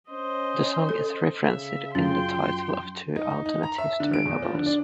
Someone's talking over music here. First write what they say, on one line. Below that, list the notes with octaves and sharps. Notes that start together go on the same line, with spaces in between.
The song is referenced in the title of two alternate history novels.
C#4 C5 D#5
A4
C#3 E5
F#2 F#3 C#4 F4 G5 C6
D#4
D#4
D#4
A#5
E5
D3
D7
E2
F3
D3
D4